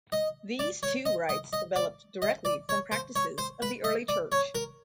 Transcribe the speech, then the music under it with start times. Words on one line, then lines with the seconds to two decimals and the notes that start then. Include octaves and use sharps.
These two Rites developed directly from practices of the Early Church.
0.12 D#5
0.59 D5
0.83 C#5
1.06 D#5
1.29 D#5
1.53 D#5
1.76 D5
2.22 D#5
2.45 D5
2.69 C#5
2.92 C5
3.16 C#5
3.38 C5
3.62 B4
3.84 D#5
4.08 D5
4.32 C#5
4.55 A#4